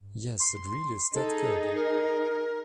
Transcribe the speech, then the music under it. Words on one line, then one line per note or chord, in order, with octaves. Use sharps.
Yes, it really is that good.
C6
D#4 G#4 A4
A#4